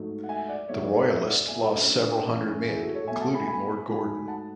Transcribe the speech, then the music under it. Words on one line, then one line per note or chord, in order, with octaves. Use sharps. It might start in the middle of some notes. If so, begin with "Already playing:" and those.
The Royalists lost several hundred men, including Lord Gordon.
Already playing: G#2 F#3 A3
F#5
E5 G#5
D5 F#5
G#2 F#3 A3 C#5 E5
B4 D5
A4 C#5
C#5 E5
D5 F#5
A2 F#3 A3 E5 G#5
F#4 A4
C#4
D4
D4
F#2 E3 A3 C#4
C#4 E4
E4 G#4
F#4 A4
A4 C#5
B2 F#3 A3 E5 G#5
F#5 A5
G#5 B5
G#5 B5
G#2 F#3 A3
F#5 A5